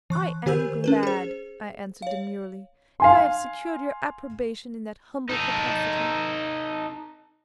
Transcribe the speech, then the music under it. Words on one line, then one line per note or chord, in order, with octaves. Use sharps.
'I am glad,' I answered demurely, 'if I have secured your approbation in that humble capacity.
E3 C#6 F#6
D#3 G4 A#4 C5 E6 G6
C#4 A#4 B4
G#4 C5
C#5 F5
F5 G#5 C6
D#4 A4